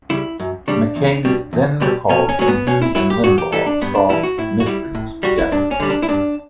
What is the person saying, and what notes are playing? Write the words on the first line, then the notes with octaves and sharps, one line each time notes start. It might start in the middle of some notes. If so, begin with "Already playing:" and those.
McCain then recalls when he and Limbaugh solved mysteries together.
C#3 G3 E4
F#2
C#3 G3 D4
E2
B2 G3
E2
B2 G3
B2 C#4
C#4
F#3 C#4
B3
B2 C#4
E4
F#3 E4
G4
G2 F#4
G4
E3 G3 A4
D4
G2 B3
D4
E3 G3 E4
F#4
A2 E4
F#4
G3 E4
A2
G3 F#4
E4
G2 D4
C#4
D3 G3
D4
E4
G2 D4